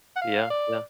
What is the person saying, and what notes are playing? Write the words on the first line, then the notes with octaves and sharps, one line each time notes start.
Yeah, yeah.
F#5
F5
D5